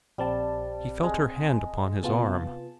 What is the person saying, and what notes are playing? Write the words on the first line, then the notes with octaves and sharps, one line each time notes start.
He felt her hand upon his arm.
A#1 G3 C4 A5
G#3
C3 B3 F4 A5